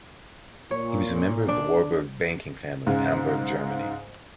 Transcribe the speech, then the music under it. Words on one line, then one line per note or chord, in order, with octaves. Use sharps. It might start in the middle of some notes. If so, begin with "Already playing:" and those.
He was a member of the Warburg banking family of Hamburg, Germany.
A#2 C#5
D4
G#2 C#3